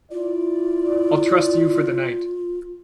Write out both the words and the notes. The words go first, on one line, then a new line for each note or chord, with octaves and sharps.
I’ll trust you for the night.
E4 F4 D5